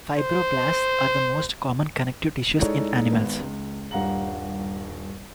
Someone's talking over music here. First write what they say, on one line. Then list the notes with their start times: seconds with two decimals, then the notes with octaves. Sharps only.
Fibroblasts are the most common connective tissues in animals.
0.18 C5
2.59 G#3 D#4 E4 A4 C#5 D5
3.11 G#1 B3
3.39 C#2
3.91 D#1 G2 F5 F#5 A#5 F#7